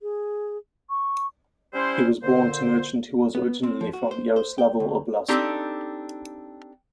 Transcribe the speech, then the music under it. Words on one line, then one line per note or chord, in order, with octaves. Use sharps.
He was born to merchant who was originally from Yaroslavl Oblast.
G#4
C#6
G3 C#4 E4 C5
A#2 D3 C5
B3
C4
F3
F#4
C5
C5
G5
D2
C4 D4 D#4 G4 A4